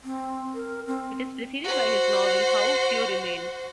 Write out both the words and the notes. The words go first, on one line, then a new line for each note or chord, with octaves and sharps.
It is preceded by his novel "How Few Remain".
C4
A#4
C4
F#4 C5